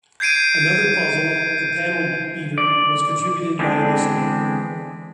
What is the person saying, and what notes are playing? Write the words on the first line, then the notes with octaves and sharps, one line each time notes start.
Another puzzle, the Panel Beater, was contributed by a listener.
G6 G#6 C7 D7 D#7
D5
D3 E3 G#3 B3 C4 D4